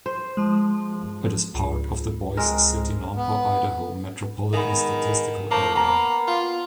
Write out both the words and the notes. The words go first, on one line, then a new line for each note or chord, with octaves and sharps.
It is part of the Boise City-Nampa, Idaho Metropolitan Statistical Area.
C5
F3 G#3
C#2
G#3 C4 A#4
B3
D#3 G#3 B3
A2 A#3 C5 A5
A#3 B3 A#5
F4